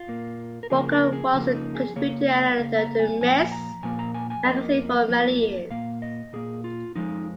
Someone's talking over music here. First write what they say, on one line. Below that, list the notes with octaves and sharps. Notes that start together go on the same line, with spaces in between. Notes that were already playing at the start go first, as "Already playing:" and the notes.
Walker was a contributing editor to "Ms." magazine for many years.
Already playing: F4
A#2 A#3
A#4
C#2 C#3 F3 A#3 G#4
A#4
G#4
C#2 C#3 F3 A#3
D#4
G#4
C#2 C#3 A#3 C#5
D#5
C#2 C#3 A#3 F5
A#5
G#5
A#2 F3 A#3 G#5
A#5
A#2 F3 A#3 G#5
A#5
G#5
G#5
F2 F3 A#3 D#5
F2 F3 A#3
A#2 A#3 F5
D#5
A#2 A#3 G#4
F4
F2 F3 G#3 D#4